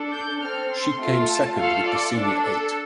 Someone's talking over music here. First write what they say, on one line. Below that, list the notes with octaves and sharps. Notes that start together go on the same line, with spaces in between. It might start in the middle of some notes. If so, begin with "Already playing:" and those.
She came second with the senior eight.
Already playing: D4 A4
G6
C4 A4 F6
C6
A3 F4 A4
A5
A3 F4 A4 F5
D5
D4 A4
A4